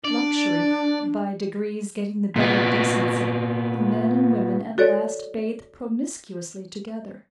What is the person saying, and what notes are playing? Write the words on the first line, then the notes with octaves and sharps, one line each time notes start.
Luxury, by degrees getting the better of decency, the men and women at last bathed promiscuously together.
D4 D5
A#2 B3
F#4 A4 C#5 D5